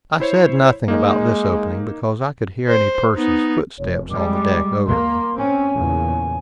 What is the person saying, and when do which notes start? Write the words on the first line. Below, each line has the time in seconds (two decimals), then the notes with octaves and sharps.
I said nothing about this opening, because I could hear any person's footsteps on the deck over me.
0.20 E4 C5 C#5
0.88 G#3 A#3 D#4
2.68 C5
3.16 B3 D#4
3.78 F1 C#5
4.11 G3 G#3 D6
4.87 A#3 C6
5.38 C4 C#4 G#5
5.76 E2 A#2 C#3